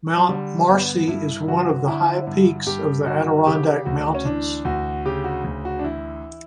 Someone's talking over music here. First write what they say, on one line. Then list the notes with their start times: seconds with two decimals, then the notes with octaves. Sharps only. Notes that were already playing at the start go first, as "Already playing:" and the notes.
Mount Marcy is one of the High Peaks of the Adirondack Mountains.
0.17 F#3
0.29 D3 G3
0.69 G2 B3
1.08 G2 E4
1.48 D3 F#4
1.88 D3 E4
2.27 G2
2.67 G2 G4
3.06 D3 F#4
3.47 C#3 G4
3.85 D2 F#4
4.15 C#4
4.25 E3 D4
4.65 D2 F#4
5.05 C#3 G4
5.24 F#4
5.44 D2
5.65 F#4
5.79 D4
5.84 E3 E4